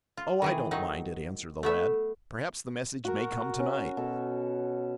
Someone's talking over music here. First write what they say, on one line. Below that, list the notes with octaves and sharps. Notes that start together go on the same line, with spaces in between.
"Oh, I don't mind it," answered the lad "Perhaps the message may come to-night."
F4
D#3 E3 G#4
D#3 F#3 D#4
A3 B3 E5
F#4 A#4
C#4
B2 A4